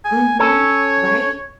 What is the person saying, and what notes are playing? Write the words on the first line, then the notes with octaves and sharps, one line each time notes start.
Mhm. Right?
G#5
C#4 A4 C#5